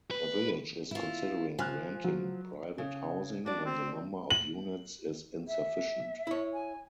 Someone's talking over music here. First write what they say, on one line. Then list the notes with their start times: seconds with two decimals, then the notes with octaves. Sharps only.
The village is considering renting private housing when the number of units is insufficient.
0.11 B4
0.91 E4 F4
1.59 F3 G#5 F6 F#6
2.04 F#3
2.78 C#3
3.46 D4 F#4 D5
3.66 C4
4.30 F#7
5.47 E5
6.27 E4 C#5
6.53 G#5